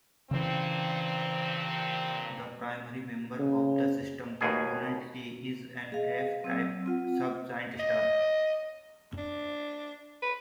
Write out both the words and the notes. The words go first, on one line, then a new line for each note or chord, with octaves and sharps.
The primary member of the system, component A, is an F-type subgiant star.
G2 A#2 C#3 E3 C4
C#3
D#2 B2 G#4
G#4 D#5 F5
F#3 C4 E6
C4 F4 F#5
D#5
D4
B4